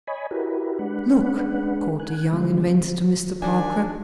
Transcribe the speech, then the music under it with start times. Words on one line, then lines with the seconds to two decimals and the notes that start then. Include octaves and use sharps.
"Look!" called the young inventor to Mr. Parker.
0.07 C#5 D#5 G#5 B5
0.31 E4 F#4 G4 A#4 B4
0.79 G#3 D4 B4 F#5
1.99 G#5 F#6
2.32 D3 E3 G3 G#3 C4
3.42 D#3 G3 D4 F#4 G#5